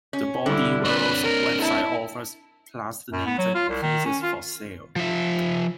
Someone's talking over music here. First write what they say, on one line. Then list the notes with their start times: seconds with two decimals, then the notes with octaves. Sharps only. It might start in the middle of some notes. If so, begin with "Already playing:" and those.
The Body Worlds website offers plastinated pieces for sale.
0.13 C#4
0.46 D3 G3 E4
0.85 C4 D4 B4
1.23 A#4
1.62 E4 A5
3.13 F#2
3.26 B3
3.38 F#3
3.55 F4
3.69 C2
3.82 D#3
4.06 C#4
4.23 F4
4.96 F3 E5